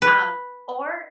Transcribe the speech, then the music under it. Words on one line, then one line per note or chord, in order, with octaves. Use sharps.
Um, or
B4